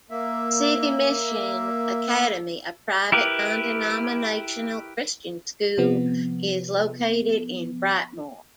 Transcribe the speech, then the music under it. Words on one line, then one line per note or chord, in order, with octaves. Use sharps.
City Mission Academy, a private non-denominational Christian school, is located in Brightmoor.
A#3 E5
E4 G4 A#4 B4
C3 F3 B3